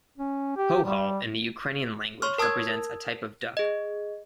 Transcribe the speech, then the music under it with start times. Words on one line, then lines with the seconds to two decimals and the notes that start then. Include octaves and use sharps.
Hohol in the Ukrainian language represents a type of duck.
0.18 C#4
0.57 G4
0.84 G3
2.22 C#5 C6 C#6 F6
2.38 A#4 A5 D#6 E6 G#6
3.57 G#4 D#5